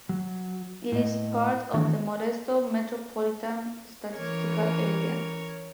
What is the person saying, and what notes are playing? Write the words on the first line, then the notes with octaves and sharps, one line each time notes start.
It is part of the Modesto Metropolitan Statistical Area.
F#3
A2 D#5
D#3 E3 F#3 A3 B3 D4
E3 C#4 A#4 C#5